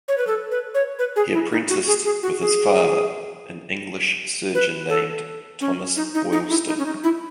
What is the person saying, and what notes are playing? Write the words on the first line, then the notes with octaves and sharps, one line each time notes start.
He apprenticed with his father, an English surgeon named Thomas Boylston.
C#5
B4
A4
B4
C#5
B4
G#4
E4
D#4
F#4
G#4
G#4
F#4
G#4
B4
A4
C#4
D#4
D#4
D#4
E4
D#4
C#4
D#4
E4